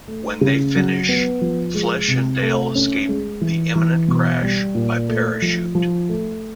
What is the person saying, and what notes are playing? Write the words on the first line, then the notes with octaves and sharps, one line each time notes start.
When they finish, Flesh and Dale escape the imminent crash by parachute.
A3
C#3
F#3
B3
F3
G#3
C3
A3
C#4
G#3
E3
E3
B2
G3
A#2
A3
F3
F3
A3